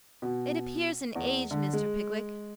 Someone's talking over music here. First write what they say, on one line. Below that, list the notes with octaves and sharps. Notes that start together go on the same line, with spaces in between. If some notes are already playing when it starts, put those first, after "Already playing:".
It appears an age, Mr. Pickwick.
B2
E2
D3
G#3